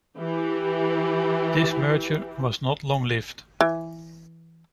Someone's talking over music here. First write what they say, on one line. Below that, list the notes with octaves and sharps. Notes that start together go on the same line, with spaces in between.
This merger was not long-lived.
E3 G4
E3